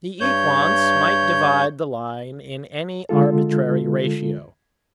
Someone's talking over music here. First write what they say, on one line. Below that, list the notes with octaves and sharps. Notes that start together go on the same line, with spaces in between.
The equants might divide the line in any arbitrary ratio.
G2 C#5 G6
D3 G#3 F4 A4